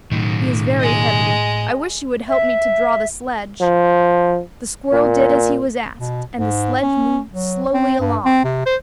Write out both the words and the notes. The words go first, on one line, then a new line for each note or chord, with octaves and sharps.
He is very heavy; I wish you would help me to draw the sledge.' The squirrel did as he was asked, and the sledge moved slowly along.
B1 A2 D#3 F#3
G#3 D#5
E5
F3
A#2
B2
G#2
C#4
F#3
C4
G2
C4
C3
C5